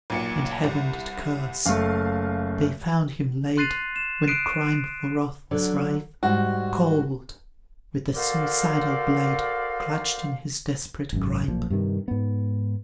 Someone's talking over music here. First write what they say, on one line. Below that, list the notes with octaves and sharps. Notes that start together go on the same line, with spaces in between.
And heaven did curse--they found him laid, When crime for wrath was rife, Cold--with the suicidal blade Clutched in his desperate gripe.
B1 A#2 C#7
C2
F#1 A3 F5
C6 F#6 A6 C7 D#7 F7
E7
D#6 F#6 B6 C7 D7 D#7
D3 F#3 D5
G#2 G3 F#4
F#4 A4 A#4 C5 D5 F5
G#1 F#2
B1 A#2 F3
G2 C3 D#3
G#2 B3